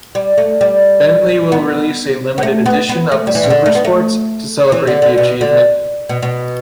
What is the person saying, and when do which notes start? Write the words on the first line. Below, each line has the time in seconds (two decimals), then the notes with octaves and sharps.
Bentley will release a limited edition of the Supersports to celebrate the achievement.
0.15 G3
0.38 A3
0.61 G3
1.52 B3
2.38 B3
2.43 A3
2.66 B3
2.89 B3
3.12 A3
3.27 G3
3.35 E3
3.44 B2
3.50 D3
3.66 A3
3.75 B3
3.85 A3
4.72 E3
4.87 D3
5.02 D3
5.18 B2
5.41 D3
6.09 B2
6.22 B2